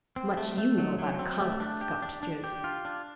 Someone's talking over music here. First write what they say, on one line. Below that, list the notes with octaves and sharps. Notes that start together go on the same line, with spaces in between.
Much you know about a colour,' scoffed Josie.
C4
A3
A3
F#3
F#3
C4
A3
D4
G4
D4
D4
G4
F4
D4